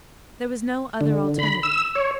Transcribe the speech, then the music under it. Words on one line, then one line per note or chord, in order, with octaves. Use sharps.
There was no other alternative.
D3
B5
E6
C#5